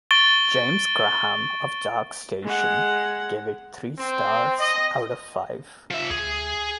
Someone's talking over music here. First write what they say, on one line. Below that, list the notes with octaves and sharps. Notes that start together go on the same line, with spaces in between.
James Graham of "Dark Station" gave it three stars out of five.
C#6 A6 D7 G7
G#3 F#5
C4
D#5
F3 E5
D2 G#4